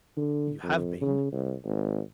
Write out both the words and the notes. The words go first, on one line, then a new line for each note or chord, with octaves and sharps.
"You have been."
D3
F2
C#3
C2
G#1